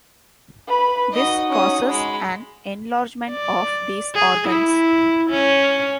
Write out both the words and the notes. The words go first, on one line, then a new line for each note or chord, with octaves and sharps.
This causes an enlargement of these organs.
B4 B5
D#4 F#4 D#5
C#4 D#6
G#3 B5
D5
G#4
E4
C#4